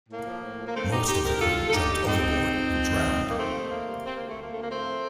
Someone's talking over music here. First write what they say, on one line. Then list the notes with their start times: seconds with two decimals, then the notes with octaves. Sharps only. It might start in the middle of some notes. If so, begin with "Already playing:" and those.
Most of the crew jumped overboard and drowned.
0.09 A2 A#3
0.26 F3
0.43 A2
0.59 F3
0.65 A#3
0.74 D3 A3 C4
0.91 D3 D#4 G4
1.07 F2 D#4 G4
1.24 F2 G4 A#4
1.40 D3 F4 A4
1.57 D#2
1.68 A4
1.73 D3 D#4 G4
1.90 D#2
2.06 F2 C4 D#4
2.22 D#3
2.40 D#3
2.55 F2
2.72 F3
2.89 F3
3.05 F3
3.22 F3
3.29 A#3
3.37 D#2 A3 C4
3.54 D#2
3.70 D#2 A#3
3.87 G3
4.04 G3 C4
4.16 D2 A#3
4.28 A3
4.37 D2 A#3
4.52 D2 A3
4.61 A#3
4.69 A2 A3 C4
4.86 F3